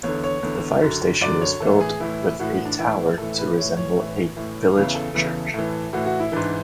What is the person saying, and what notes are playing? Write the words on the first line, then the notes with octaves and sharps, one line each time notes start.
The fire station was built with a tower to resemble a village church.
E2 D3 C#5
C#5
E2 D3
F#2 D3
F#2 D3 D5
C#5
A2 E3 A4
G#4
A2 E3 E4
A2 E3 F#4
F#4
D4
A2 E3 E4
A2 E3 A4
B4
A2 E3 C#5
C#5
A2 E3
A2 E3
E2 C#3 E3 B4
A4
E2 C#3 E3
A2 E3
A2 E3 F#4
F#4
E4
G#2 E3 D4